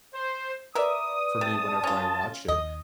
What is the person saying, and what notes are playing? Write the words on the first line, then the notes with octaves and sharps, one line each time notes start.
for me whenever I watch it.
C5
A#4 B4 D5 E5 D#6
C3 A5
C#4 F4
D#2 D#5 D#6